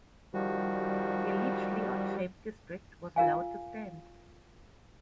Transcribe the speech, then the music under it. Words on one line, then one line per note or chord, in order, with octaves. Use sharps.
The allegedly odd-shaped district was allowed to stand.
D#3 F3 G3 F#4
F4 A#4 F5 G#5